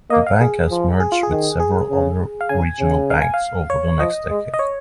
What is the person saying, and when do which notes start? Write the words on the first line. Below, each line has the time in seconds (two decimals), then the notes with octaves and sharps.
The bank has merged with several other regional banks over the next decade.
0.10 A#3 D#5
0.27 F5
0.41 G#4
0.70 F3
1.00 G#4
1.12 F4
1.23 G#4
1.31 D#3
1.60 G#4
1.90 C#3
2.41 F5
2.49 C#3 G#5
2.80 C#3
3.10 F5
3.21 G#5
3.34 F5
3.70 C#5
3.99 F3 D#5
4.29 G#3
4.54 D#5
4.59 C#5